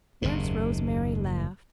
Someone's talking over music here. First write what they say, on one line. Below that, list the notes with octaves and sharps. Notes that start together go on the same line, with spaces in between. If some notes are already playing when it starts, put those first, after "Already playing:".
Nurse Rosemary laughed.
F#1 D#2 G#2